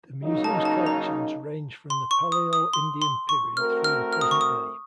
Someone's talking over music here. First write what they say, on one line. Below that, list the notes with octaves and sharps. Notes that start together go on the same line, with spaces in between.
The Museum's collections range from the Paleo-Indian period through the present day.
C#3 F#3 A#3 D#4
A5
A5
A#5
C6
C#6
D#6
D#6
C6
C6
C#6
A3 C4 F#4 A#4 F6
F6
F6
D#6
C#6
D#6